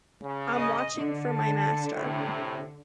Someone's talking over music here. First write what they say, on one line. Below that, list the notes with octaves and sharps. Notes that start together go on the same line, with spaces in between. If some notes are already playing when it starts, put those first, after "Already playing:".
I'm watching for my master.
C#3
D#5
D3
A5
A2 C3